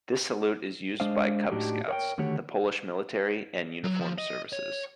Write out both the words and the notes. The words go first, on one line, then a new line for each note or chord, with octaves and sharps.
This salute is used by Cub Scouts, the Polish military, and uniformed services.
G#3 D4 C5 D#5 F5
A2 D4 D#4 F#4 G4
A#4 C#5 F#5 G5
D3 D#3 A3 F#4 G4 C#5
F#3
F3
D#5
C#5